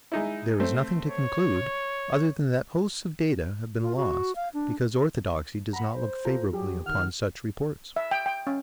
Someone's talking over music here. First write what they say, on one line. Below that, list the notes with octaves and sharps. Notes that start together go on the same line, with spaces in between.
There is nothing to conclude other than that hosts of data have been lost because orthodoxy does not look favorably upon such reports.
G#3 D#4 E4
A3 C4
C#5
C#6
F4
F#4
F5
D4
F#5 A#5 B5
C5
F4 A4 A#5
F#3 G4 G#4
D#3 F#5 F6
E5
G5
G5
C#4